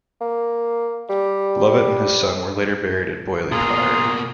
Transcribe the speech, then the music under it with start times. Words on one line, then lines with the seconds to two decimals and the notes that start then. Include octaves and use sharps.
Lovat and his son were later buried at Beauly Priory.
0.21 A#3
1.09 G3
3.52 B2 A#3 F4 G#4 A#5 C6